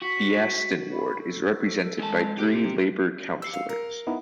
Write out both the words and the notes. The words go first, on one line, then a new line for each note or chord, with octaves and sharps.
The Aston ward is represented by three Labour councillors.
F#4 B6
B5
A4
G#3 A5
C3 G4
G4 E6 C7 C#7
F5
A#4
B3 D#4 E4